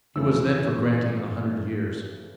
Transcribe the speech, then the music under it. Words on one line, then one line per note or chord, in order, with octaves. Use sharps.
He was then for granting a hundred years.
F2 C#3 E3 A3 E6